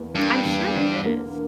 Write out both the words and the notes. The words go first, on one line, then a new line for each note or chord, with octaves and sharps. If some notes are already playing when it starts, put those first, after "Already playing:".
I'm sure it is.
Already playing: E2 A#3
G2 D4
E2
D3
A#3